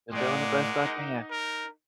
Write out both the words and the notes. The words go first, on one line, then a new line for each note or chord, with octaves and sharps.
just doing the best I can."
A2 G#3 A#4 D5 F#5 D6
D#4
A#4